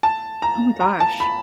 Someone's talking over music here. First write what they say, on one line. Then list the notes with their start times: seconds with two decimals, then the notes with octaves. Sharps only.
Oh my gosh.
0.03 A5
0.42 A#5
0.80 A#5
1.00 A5
1.20 B5